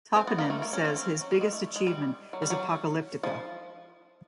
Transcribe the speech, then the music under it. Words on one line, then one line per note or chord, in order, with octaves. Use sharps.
Toppinen says his biggest achievement is Apocalyptica.
C4
B3
A#3
A3
A#3
C#4
C#4
C4
F#3
G3
G#3
A3
G#3
G3
F#3
G3
F#3
F3